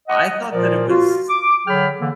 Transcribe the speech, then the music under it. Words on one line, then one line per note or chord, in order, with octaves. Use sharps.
I thought that it was
D#5 F#5
A#2 F3 F4 A#4 D5
F4 F#4
D6
D3 F#3 G#4 G5 B5 F6
D3 E3 A#3